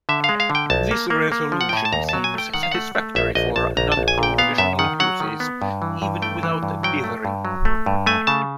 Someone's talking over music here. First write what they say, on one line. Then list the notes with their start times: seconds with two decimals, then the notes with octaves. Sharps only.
This resolution seems satisfactory for non-professional uses, even without dithering.
0.09 D3 E5
0.24 G#3 F5
0.40 F5
0.50 D3
0.55 G5
0.70 B1 A5
0.91 A#3
1.10 A#3
1.32 A#3
1.52 F3
1.61 F#5
1.69 G5
1.73 A2 G#5
1.85 A5
1.93 D#2 A#5
2.09 F#3 A5
2.24 G#5
2.34 A3 G5
2.54 D#3 F#5
2.63 F5
2.71 A3 F#5
2.95 A3
3.15 A#1 E5
3.35 A#1 D#5
3.56 A#1 A5
3.77 A#1 A#5
3.92 A5
3.97 A#1
4.08 G#5
4.18 A#2
4.23 G5
4.38 B3 F5
4.58 F#2 E5
4.79 D#3 F#5
5.00 F#3 F#5
5.20 D#3
5.40 B3
5.62 G2
5.82 E3
6.02 G2
6.22 A3 G5
6.43 E3
6.63 G2
6.83 F#3 G5
7.04 A3
7.25 G2
7.45 F#3
7.65 A3
7.86 G2
8.06 A3 G#5
8.27 C#3 A5